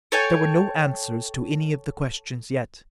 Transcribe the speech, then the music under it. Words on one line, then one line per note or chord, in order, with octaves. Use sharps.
There were no answers to any of the questions yet.
A4 C#5 G5 G#5